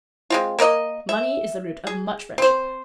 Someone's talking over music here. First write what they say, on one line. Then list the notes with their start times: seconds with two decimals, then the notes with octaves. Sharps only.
Money is the root of much friendship.
0.30 G#3 C4 F4
0.59 A#3 A#4 D5 D#5
1.09 E5
1.87 G#4
2.38 C4 C5